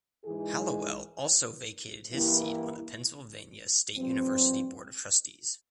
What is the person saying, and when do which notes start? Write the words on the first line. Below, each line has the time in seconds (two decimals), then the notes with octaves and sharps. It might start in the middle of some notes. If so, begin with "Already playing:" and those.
Hallowell also vacated his seat on the Pennsylvania State University Board of Trustees.
0.25 G#2 E3 G#3 E4 G#4
2.10 G2 E3 A#3 E4 G4
3.97 G2 F3 C4